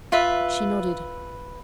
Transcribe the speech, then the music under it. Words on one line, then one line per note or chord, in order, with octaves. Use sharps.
She nodded.
F4 B4 E5